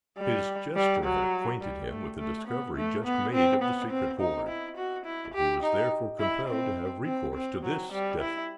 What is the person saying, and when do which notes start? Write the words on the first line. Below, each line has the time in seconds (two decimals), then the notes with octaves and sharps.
His jester had acquainted him with the discovery just made of the secret hoard, and he was therefore compelled to have recourse to this desperate move.
0.18 G3
0.76 G3
1.04 F#3
1.62 G3
1.90 A3
2.19 A3
2.48 B3
2.76 A3
3.05 B3
3.33 C4
3.62 B3
3.91 C4
4.20 D#4
4.48 E4
4.77 F#4
5.06 E4
5.34 G4
5.63 D#4
6.20 E4
6.48 C4
7.06 C4
7.34 C4
7.63 F#3
7.92 G3
8.20 E4